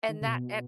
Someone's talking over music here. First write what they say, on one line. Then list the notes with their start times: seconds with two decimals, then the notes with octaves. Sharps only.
And that and
0.09 D#3
0.21 C#3
0.27 B2